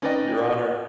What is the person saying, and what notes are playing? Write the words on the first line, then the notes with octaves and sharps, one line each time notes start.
"Your honor."
C#4 D#4 B4 D5 D#5 G5